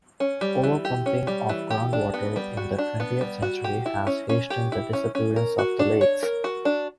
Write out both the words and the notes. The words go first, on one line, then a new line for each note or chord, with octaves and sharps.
Over-pumping of groundwater in the twentieth century has hastened the disappearance of the lakes.
C#4
G3
E3
G4
C#4
G3
E3
G4
D4
B3
G3
F#4
D4
B3
G3
F#4
G4
E4
C#4
C#4
G4
E4
C#4
C#4
A#4
F#4
D4
C#5
A#4
F#4
D4